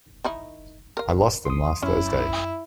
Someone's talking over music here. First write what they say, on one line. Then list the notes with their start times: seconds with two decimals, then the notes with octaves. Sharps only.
I lost them last Thursday.
0.24 D#3 D#4 E4
0.97 A#4 F5
1.45 C6 D#6
1.83 F#2 C#4 E4